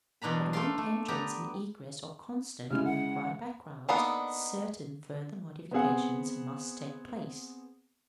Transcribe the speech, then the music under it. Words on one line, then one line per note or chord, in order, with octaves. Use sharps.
But when entrance and egress are constant, or required by crowds, certain further modifications must take place.
E2 B2 D4 A#5 B5
A3 A4 D5 F5 C6
A3
B3 G4 D5 A#5
C#3 G#3 E4 F6
F#5
A#3 B3 D4 D#4 A4
B3 C4 G#4 F#5